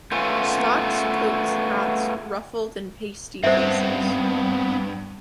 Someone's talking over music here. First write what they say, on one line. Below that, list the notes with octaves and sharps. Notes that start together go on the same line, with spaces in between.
Smocks, coats, hats, ruffled and pasty faces.
A3 B3 C#4 F4
G2 B3 C4 C5 E5